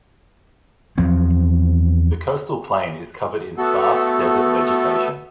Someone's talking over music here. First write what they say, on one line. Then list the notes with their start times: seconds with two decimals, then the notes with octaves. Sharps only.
The coastal plain is covered in sparse desert vegetation.
0.98 E2 F3 F#3 C4
3.58 A3 B3 F#4 A4